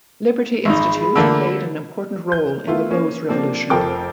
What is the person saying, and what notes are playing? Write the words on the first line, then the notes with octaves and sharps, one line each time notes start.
Liberty Institute played an important role in the Rose Revolution.
G#1 D#4 F4 G#4 B5
D3 A3 A#3
G6
A3 B3 E4 F4
A#3 C#4
F3 A#3 C4 D4
F1 F2 F3 A#4 G5 D6